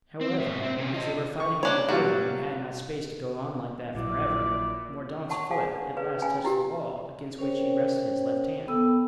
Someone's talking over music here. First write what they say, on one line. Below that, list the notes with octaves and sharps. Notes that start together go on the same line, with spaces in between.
However, as they were fighting in a room and had not space to go on like that forever, Mordaunt's foot at last touched the wall, against which he rested his left hand.
C4
G#2 E5
C4
C3 C#4
F4 D#5
C#6
A#3 D4 C#5
F#3 G3 F4 F#4
A#1 A#2 F#3 E4 D5
C#5 F#5 A5 C#6
G#4 F5 F#5 G#5 A5 D6
D4
G#4 B4 C#5 F5
C#4 C#5 F5 G5 G#5 B5
E4 F4 G4 A#4
C#4 A#4 C5 C#5 G5
B3 A4 G5 E6